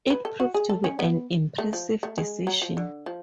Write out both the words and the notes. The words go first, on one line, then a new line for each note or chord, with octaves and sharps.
It proved to be an impressive decision.
B4
A4
F#4
G#4
A4
C#4
B3
A3
F3
A3
G#3
F#3
F3
D3
F3